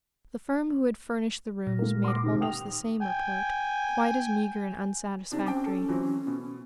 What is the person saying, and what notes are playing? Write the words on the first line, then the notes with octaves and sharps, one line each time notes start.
The firm who had furnished the rooms made almost the same report, quite as meagre and unsatisfactory.
A#2
G#3 A#3
C6 D6
C3 D#3
G5 D#6 F7
G5 G#5
C3 D4 D#4
C4 C#4 G5 D6
A4
E3 F#3 C4
B2